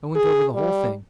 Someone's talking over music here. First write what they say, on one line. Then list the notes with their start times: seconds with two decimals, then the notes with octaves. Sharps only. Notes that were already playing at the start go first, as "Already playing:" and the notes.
I went over the whole thing.
0.15 G#4
0.55 G3